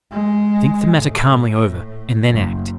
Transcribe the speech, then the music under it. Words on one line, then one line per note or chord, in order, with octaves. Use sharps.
Think the matter calmly over, and then act.
G#3
A2
F#1